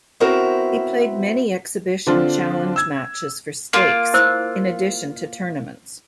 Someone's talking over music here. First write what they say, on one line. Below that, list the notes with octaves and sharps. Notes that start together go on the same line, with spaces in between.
He played many exhibition challenge matches for stakes, in addition to tournaments.
B3 C4 E4 F#4 A#4 C5
D3 C4 D4 F4
E6 G#6
A#3 F4
E4 C5 E6